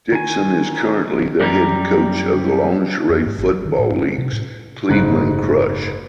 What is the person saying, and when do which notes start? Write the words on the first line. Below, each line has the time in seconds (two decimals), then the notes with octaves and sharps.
Dixon is currently the head coach of the Lingerie Football League's Cleveland Crush.
0.12 D#3 G#5
1.41 F#2 G3 D5 A#5
3.09 F2
3.26 G#2
3.38 G#1
3.51 F#3
3.65 D#3
3.79 A2
3.91 G2
4.04 C4
4.18 C3
4.32 A2
4.89 F#1 G#2 F#6